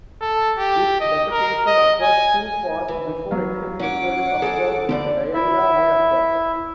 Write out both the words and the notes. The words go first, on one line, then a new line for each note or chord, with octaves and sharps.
If defecation occurs too fast, before excess liquid is absorbed, diarrhea may occur.
A4
G4
D#5
A#4
D#5
G#5
E3
F#3 F5
C#4 C#5 F#5 D6
C#3 G#4 A4
D2 G2 D3 D5
E4 E5